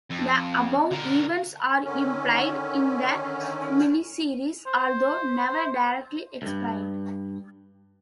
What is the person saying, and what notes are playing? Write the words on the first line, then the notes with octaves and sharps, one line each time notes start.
The above events are implied in the miniseries, although never directly explained.
F2
D3 A#4
D3 D#3 C#4
C5
D2 G2